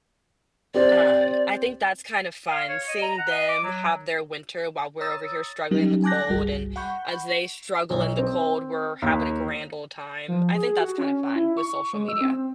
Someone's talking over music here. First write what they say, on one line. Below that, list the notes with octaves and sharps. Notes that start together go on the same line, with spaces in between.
um, I think that's kind of fun seeing them have their winter while we're over here struggling in the cold, and as they struggle in the cold, we're having a grand ole time. I think that's kinda fun with social media
C4 G4 C5 D5
F5
C#5
D#5
A#5
F#5
D#5
D6
F#3
C#5 A#5 D#6 E6 A6
F#3 G3 C#4 D#4 G4
G#5 A5 D6 F#6 G6 A#6
G1 C2 G3 F#4 G#4
F#5 B5 C#6 G6
B1
C4
D#2
F3
G#4
F#4
C#4
E4
C#6
G#3
E6
C4